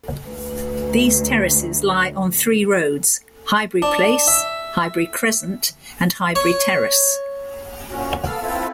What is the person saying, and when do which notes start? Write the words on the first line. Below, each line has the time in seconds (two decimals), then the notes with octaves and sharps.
These terraces lie on three roads: Highbury Place, Highbury Crescent, and Highbury Terrace.
0.25 D2 B4
3.82 D4
4.28 E5
6.35 C#5
7.88 A#2 C#4 F#4
8.26 B3 A4 F5 E6 F6
8.43 C4 E4 F4 A4 B4